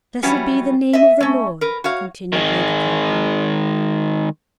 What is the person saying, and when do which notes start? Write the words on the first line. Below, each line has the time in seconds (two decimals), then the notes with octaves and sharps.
"Blessed be the name of the Lord," continued Lady Clavering.
0.23 E3 F#3 G3 B3 C#4
0.93 D#5 E5
1.20 A3 C#4
1.61 A#4 B4
1.84 F#4 C#5 F5
2.33 D#3 G#3